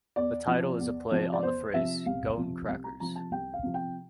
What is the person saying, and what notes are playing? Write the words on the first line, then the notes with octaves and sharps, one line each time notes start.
The title is a play on the phrase "Goin' Crackers".
E2 D5
C3 F3
E2
C3 F3
D5
E2 C5
C3 F3 E5
C2 F5
C3 F3
C2
A#5
C3 F3 A#5
A5
C2 G5
F5
C3 F3
G5